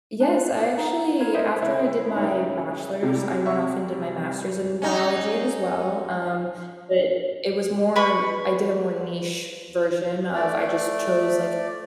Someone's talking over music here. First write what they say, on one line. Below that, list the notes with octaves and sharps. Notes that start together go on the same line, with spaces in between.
Yes, I actually after I did my Bachelor's, I went off and did my Master's in biology as well, um, but it it was more, I did a more niche version of I just chose like
D4 B4 D5 A5
D5
D#4 F#5
E4 A#4 C#5 F5
A#4 C5 D#5 E5
C#3 E4
C#4 D#4 C#5
C3 G3
E5 C#6
C#4 D#4
B4 B5 C#6
A3 D5